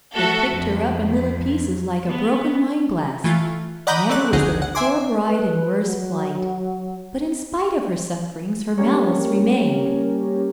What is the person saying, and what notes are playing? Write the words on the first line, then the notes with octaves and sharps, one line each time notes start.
They picked her up in little pieces, like a broken wineglass; never was there a poor bride in worse plight. But in spite of her sufferings her malice remained.
A3 F#4 A4 E5
F2
B3
E3 A3 F4
D5 D#5 F#5 A#5 B5 G6
A3 C4 D5 F#6
G1 D2 D3 D#4 G#4 F#5
F#5
E5 G#5 C6 D6
B4
F#3
G3 A#3 C#4 G4 A#4 C#5